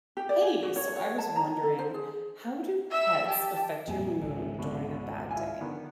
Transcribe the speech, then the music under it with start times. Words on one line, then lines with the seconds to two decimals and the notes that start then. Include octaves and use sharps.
Hey! So I was wondering, how do pets affect your mood during a bad day?
0.17 G4
0.29 D5
0.42 G#5
0.63 F#4
0.76 C#5
0.96 C#5
1.18 A5
1.36 A#5
1.63 A4
1.79 C5
1.94 G#4
2.91 E5 E6
3.28 G4 A5
3.88 F2 A#2 F#3 G#4 G#5
4.20 G#1 C#2
4.59 B2 D3
5.31 E4 F4 G#5
5.61 D3 D#3 B3